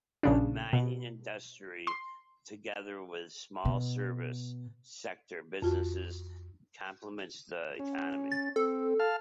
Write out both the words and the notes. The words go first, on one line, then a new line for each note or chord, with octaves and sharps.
The mining industry, together with small service sector businesses, complements the economy.
A#1 C#3 D4
B2
C6
B2
F2 F4 F#4
C#4
A6
C4 A4
F5 A5 F6